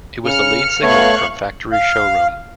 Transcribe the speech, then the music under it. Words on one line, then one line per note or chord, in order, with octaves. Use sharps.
It was the lead single from "Factory Showroom".
C#3 F6 C#7
A3 B3 C#5 F5 C#6 F#6
F5